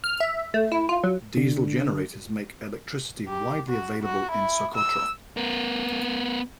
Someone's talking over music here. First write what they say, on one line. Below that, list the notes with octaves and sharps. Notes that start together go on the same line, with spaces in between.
Diesel generators make electricity widely available in Socotra.
F6
E5
A3
E4
F4
F#3
D3
G4
F#4
F#4
E4
E6
B3 A#4